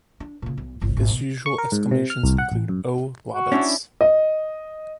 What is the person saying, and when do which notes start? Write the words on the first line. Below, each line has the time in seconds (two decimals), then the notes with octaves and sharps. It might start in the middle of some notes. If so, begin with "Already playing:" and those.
His usual exclamations include Oh, Globbits!
0.20 D4
0.42 A#2 C#3
0.58 B1
0.81 G1 C2
0.97 G#1
1.11 B2
1.46 C#6
1.58 A#4
1.72 G#2
1.91 C3
2.10 F6
2.23 C2
2.38 F#5
2.52 A1
2.69 F#2
3.34 F#4
3.52 C#4 D4 E4
4.01 D#5